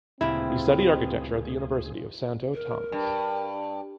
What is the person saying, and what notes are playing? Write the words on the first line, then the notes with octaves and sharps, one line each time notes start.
He studied architecture at the University of Santo Tomas.
D2 G2 A#2 C#3 C4 E4 G#4
A#4
G2